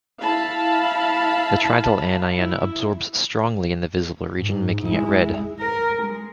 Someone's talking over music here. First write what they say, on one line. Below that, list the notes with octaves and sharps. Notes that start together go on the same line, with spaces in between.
The trityl anion absorbs strongly in the visible region, making it red.
E4 F5 A5 B5
E4
G#2
G#3 E4
A#4
G#3